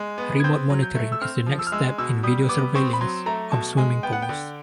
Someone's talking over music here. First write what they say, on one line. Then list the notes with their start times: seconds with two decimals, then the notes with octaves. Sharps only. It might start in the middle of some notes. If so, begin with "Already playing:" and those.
Remote monitoring is the next step in video surveillance of swimming pools.
Already playing: G#3
0.18 B3
0.40 G#6
0.44 C4 G6
0.70 F#3
0.83 G6
0.95 A3
1.12 E6
1.21 C4 F6
1.46 F3
1.59 E6
1.67 F6
1.72 G#3 E6
1.98 B2 E6
2.23 G3 D#6
2.49 B3 D6
2.75 C4 C#6
2.93 B5
3.01 F#3 C6
3.26 A3 A#5
3.52 B2 A5
3.77 G#3 G#5
4.03 B3 G5
4.13 F#5
4.22 G5
4.29 D3